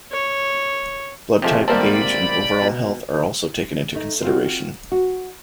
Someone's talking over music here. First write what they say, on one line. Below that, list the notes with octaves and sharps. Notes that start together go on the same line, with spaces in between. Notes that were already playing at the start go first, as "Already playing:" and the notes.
Blood type, age, and overall health are also taken into consideration.
C#5
C3 F3 G#3 A3 G4
G#1 C3 G3 A#3 C4 D5 A5 B5
B2
A3 D#4
C4 F4 F#4
F#4